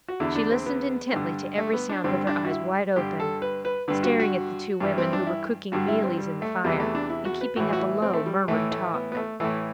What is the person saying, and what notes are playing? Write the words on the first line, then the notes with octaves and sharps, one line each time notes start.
She listened intently to every sound, with her eyes wide open, staring at the two women, who were cooking mealies in the fire, and keeping up a low, murmured talk.
F#4
E2 D3 E4
D4
C4
B3
G2 D3
A3
B3
D4
G2 D3 C4
D4
F#4
E4
G2 D3 G4
A4
B4
B4
G2 D3 B4
F#4
F#4
G2 E3
C4
D4
E4
G2 D3 F#4
E4
C4
G3
A3
E2 C3 E3 G3
A3
D4
E4
F#4
B4
A2 E3 F#4
F#4
E4
C4
A3
G3
A2 E3 A3
A3
B3
B3
A3
A2 E3 A3